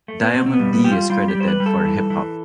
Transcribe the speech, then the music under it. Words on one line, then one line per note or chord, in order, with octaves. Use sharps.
Diamond D is credited for "Hip Hop".
A3
B3
B2 C4
C4
B3
G3
B3
G3 G4
F4
G3 F4
G4
G3
C5
B4
G3
A4
E3
E3